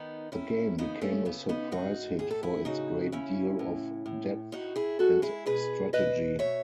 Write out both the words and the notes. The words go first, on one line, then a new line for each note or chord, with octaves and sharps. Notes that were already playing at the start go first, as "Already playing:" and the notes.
The game became a surprise hit for its great deal of depth and strategy.
Already playing: D#3 B3 D#4
D#3 C#4 E4
C#3 B3 D#4
A3 C#4
C#3 B3
B3 D#4
A2 D#4 F#4
A2 G#4
A4
E4 G#4
C#3 D#4 F#4
C#3 C#4 E4
A2
A2
A2 D#4 F#4
E4 G#4
G#3 F#4 A4
E4 G#4
B2 G#4 B4
B2 B4 D#5
B2 C#5 E5